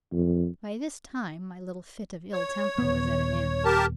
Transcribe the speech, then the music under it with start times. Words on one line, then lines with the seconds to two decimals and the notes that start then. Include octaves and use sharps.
By this time my little fit of ill-temper was at an end.
0.12 F2
2.33 C#5
2.78 D#1 B3
3.65 G4 A#4 A5